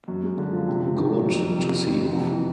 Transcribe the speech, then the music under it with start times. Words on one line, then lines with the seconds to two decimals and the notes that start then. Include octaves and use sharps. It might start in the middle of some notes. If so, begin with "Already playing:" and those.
Good to see you.
0.08 F#2
0.23 G#3
0.38 D3
0.53 F3
0.68 C3
0.82 C3
0.97 D#3
1.12 F#3
1.27 F2
1.42 G3
1.56 C3
1.71 D#3
1.87 F2
2.01 F2
2.15 C3
2.31 E3